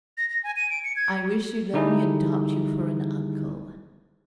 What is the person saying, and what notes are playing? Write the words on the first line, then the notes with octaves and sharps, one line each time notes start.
I wish you'd let me adopt you for an uncle.
A#6
A#6
G#5
D#7
D7
C#7
G#6
D3 G3 D#4 E4 G#4